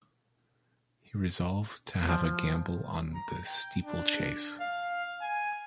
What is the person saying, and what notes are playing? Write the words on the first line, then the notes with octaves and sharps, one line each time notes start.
He resolved to have a gamble on the steeplechase.
F3
A#5
G5
D4
F5
G#5